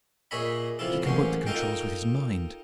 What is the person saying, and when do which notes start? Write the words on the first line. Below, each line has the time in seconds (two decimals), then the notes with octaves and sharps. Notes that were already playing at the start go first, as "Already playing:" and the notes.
He can work the controls with his mind.
0.31 A#2 G#4 C#5 D#5 E5 B5
0.79 C3 F3 E4 F4 A4
1.04 A1 F#3 G#3 A#3 C#4 C5
1.46 D#4 F4 A4 A#4 D#5 G5